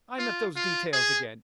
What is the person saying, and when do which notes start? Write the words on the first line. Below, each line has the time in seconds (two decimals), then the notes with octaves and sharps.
I'm at those details again.
0.18 F4
0.56 F4
0.93 G#4